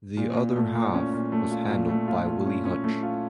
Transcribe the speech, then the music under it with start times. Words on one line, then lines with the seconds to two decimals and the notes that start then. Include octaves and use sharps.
The other half was handled by Willie Hutch.
0.17 A#2
0.36 A#2
0.56 A3
0.75 A#2
0.94 C#4
1.13 A#2
1.32 A3
1.51 F4
1.70 A#2
1.89 A3
2.08 F4
2.27 F4
2.46 C#4
2.65 C#4
2.84 A3
3.03 F4